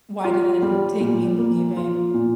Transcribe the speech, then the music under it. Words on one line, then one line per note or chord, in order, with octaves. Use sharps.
why did it t take me leaving
F4
G3
A#2
A#3
F4
A#2